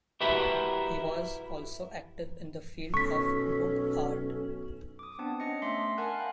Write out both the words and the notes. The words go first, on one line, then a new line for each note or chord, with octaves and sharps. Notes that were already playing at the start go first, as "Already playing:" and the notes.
He was also active in the field of book art.
E4 F#4 G4 A#4 B4 E5
B1 C#4 A4 C#6 B6
D6 D#6
B3 C4 D4 F#5 A5
C#4 D4 D#5 A#6 C#7
A3 E5 C6 D6 B6 C7
A#4 F#5 G#5 A5 F6 F#6
F5 G5 B5